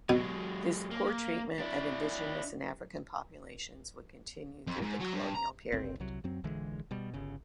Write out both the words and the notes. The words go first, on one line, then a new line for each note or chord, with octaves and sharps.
This poor treatment of indigenous and African populations would continue though the colonial period.
B2 F#3 G#3
A#3
D4 E4
F2
G#2
F#3
G2
A#5
F#1 C2 C4
C2 C3 F#3
F#2 F#3 C4
A#1 D3 E3 G#3
B2 G3
G1 C#3